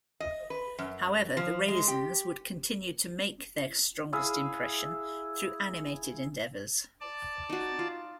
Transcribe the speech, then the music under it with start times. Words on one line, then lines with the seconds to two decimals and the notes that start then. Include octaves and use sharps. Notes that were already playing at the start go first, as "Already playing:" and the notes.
However, the Raisins would continue to make their strongest impression through animated endeavors.
0.20 D#5
0.50 B4
0.78 F#2
1.37 F3
1.68 G#3
1.88 G4
4.13 E4 G#4 E5 F5
7.01 D5 A5
7.50 D#4 F#4
7.79 F4